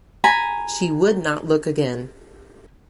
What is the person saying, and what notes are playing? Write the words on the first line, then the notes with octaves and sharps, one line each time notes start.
She would not look again.
G#5 A#5 B5